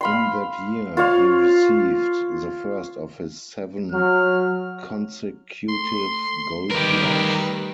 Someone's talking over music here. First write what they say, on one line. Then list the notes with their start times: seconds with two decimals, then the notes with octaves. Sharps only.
In that year he received the first of his seven consecutive Gold Gloves.
0.01 F5 B5 C6
0.97 F4 C5 C#5 F5
3.92 F#3 F6
5.69 A3 C6
6.70 D#3 G3 G4 A#4 B4